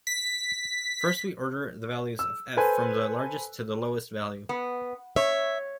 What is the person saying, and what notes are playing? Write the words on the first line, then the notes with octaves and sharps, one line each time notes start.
First we order the values of "f" from the largest to the lowest value.
B6
E6
A4 B4 C5 G#5
B3
C#5 E5